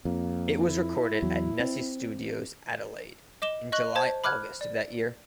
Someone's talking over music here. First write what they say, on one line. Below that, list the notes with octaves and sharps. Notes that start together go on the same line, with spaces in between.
It was recorded at Nesci Studios, Adelaide, in July-August of that year.
F2 A#3
E4
E2 F#3
C4
D#5 D6 E7 G7
D#5 C#6 F#6 F#7
C5 A5 G#6
B5 D6 F6 F#6 G#6
D5